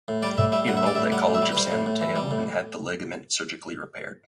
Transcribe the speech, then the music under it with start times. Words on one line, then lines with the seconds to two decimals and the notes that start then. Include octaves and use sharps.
He enrolled at College of San Mateo and had the ligament surgically repaired.
0.08 A2
0.22 G3 D5
0.38 A2 E5
0.52 G3 E5
0.67 A2 F#5
0.77 E5
0.83 G3 D5
0.95 A2 E5
1.12 G3 F#5
1.27 A2
1.34 E5
1.42 G3
1.52 B4
1.57 G3 C5
1.72 A2
1.86 A2
2.01 E3
2.16 G3
2.31 A2